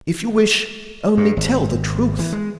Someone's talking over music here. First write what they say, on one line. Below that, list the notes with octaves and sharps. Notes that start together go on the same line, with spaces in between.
"If you wish--only tell the truth."
G2
G#1
E3
G#3